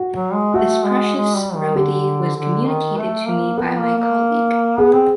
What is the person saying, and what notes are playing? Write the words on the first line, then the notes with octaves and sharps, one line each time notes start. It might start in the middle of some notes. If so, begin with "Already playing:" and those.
This precious remedy was communicated to me by my colleague.
Already playing: F#4
F#3
G#3
A3 F#4
G#3
G#3
G3
D#3
D3 G4
D3
D#3
A3
A#3
B3 A4
A#3
A#3
B3 G#4
C4